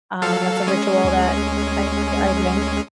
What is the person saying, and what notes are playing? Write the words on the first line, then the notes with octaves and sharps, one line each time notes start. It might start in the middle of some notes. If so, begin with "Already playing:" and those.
um, that's a ritual that I I do.
F#3 A4 F5
G#3 C#4 G#4
D2